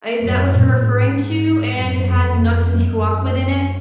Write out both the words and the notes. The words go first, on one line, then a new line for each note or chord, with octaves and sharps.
Is that what you're referring to, and it has nuts and chocolate in it?
F#2
A#2
G#2
F#2
F2
F#2